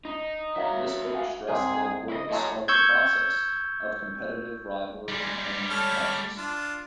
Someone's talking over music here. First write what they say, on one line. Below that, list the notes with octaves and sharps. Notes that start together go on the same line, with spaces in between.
This book stressed the importance of the process of competitive rivalry in markets.
D#4
F#3 A#3 F#4 E5
F5 F#5 G#5
C2 G#2 C3 G#4
E4 D#5
A2 F#3 G#3 A3
C#6 E6 G6 G#6
G3 G#3
A4 C#5 F6
D4 F4